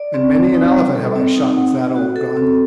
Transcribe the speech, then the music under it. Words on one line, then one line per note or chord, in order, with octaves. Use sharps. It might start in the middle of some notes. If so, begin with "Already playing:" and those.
And many an elephant have I shot with that old gun.
Already playing: D5
C4
C4
D#4
G3
A4
C4
D#4
F#5
D#4
F#4
A4
C4